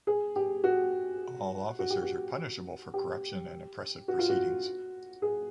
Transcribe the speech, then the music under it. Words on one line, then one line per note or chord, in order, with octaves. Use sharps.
All officers are punishable for corruption and oppressive proceedings.
G#4
G4
F#4
F#4
G4
F#4
G4
F#4
F4
F#4
G#4